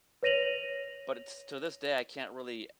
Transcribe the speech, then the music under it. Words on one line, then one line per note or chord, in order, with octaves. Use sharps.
but to this day, I can't really
B4 C#5 A#6 D#7 F7 F#7